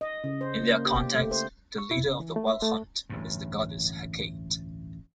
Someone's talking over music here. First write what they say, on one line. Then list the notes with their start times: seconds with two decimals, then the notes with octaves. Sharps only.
In their context, the leader of the Wild Hunt is the goddess Hecate.
0.01 D#5
0.24 C#3
0.41 C5
0.62 A#3
0.86 G4
1.14 A3
1.31 C5
1.78 C#6
1.91 E4
2.06 C#3
2.20 E3
2.36 A3
2.50 E5
2.62 A3
3.10 A1 D2 G2